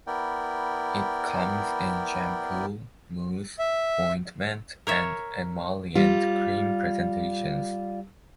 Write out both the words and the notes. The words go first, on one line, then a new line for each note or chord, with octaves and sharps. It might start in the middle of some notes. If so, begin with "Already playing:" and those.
It comes in shampoo, mousse, ointment and emollient cream presentations.
B3 E4 A#4 D5 G5
E5
A#4 C#5 E5
G3 F4